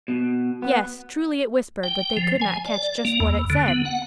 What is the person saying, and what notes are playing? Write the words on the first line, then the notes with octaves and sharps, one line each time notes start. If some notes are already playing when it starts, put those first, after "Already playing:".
Yes, truly it whispered, but they could not catch just what it said.
B2
B3
G5
F3
G#5
D5
A#3
E2
D3
B3
F#5